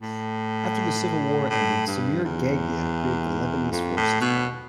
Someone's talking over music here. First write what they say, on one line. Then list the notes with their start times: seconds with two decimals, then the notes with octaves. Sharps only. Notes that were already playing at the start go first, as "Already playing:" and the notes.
After the civil war ended, Samir Geagea created the Lebanese Forces Party.
0.02 A2
1.50 A2
1.87 G2
2.25 E2
3.71 F2
3.97 A2
4.21 B2